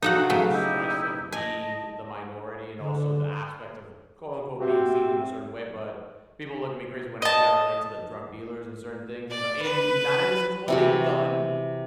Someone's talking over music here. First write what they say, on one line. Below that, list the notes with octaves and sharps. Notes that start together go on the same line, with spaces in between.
kinda the stress of being the minority and also the aspect of quote, unquote "being seen in a certain way," but people look at me crazy when I say I relate to the drug dealers and certain things in the in not in the sense of what they've done,
D#4 F#4 A4 F5 F#5
C#3 F#3 A3
D#4 E4 G4
D#5 G#5 A5
D3
C4 F#4 G4 E5
D#5 A5
D5
B4
C3 E3 F#4